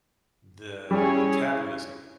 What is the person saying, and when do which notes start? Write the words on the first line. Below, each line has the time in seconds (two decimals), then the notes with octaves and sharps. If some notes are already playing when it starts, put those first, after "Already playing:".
the metabolism.
0.91 G3 C#4 E4 G#4 C#5